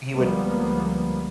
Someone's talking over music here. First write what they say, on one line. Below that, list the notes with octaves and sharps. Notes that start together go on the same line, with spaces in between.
he would,
C#2 D3 F3 G3 A#3 B3